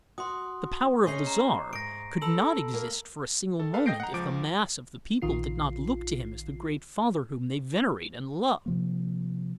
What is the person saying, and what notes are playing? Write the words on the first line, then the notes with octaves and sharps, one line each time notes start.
The power of the Czar could not exist for a single moment if the mass of the people did not look to him as the great father whom they venerate and love.
F#4 C6 D#6
C#4 D#4 G#4 C#6 C7
A#5
G#2 A#6 D7
A4 B5 E6 F#7
A#3
A4
A4 B4 F5
D#5 G5 G6 A#6 C7 D7
F#5 A#5
C#2 F3 D6 D7
A#1 D#3 F4 C7
C3 F3 A#3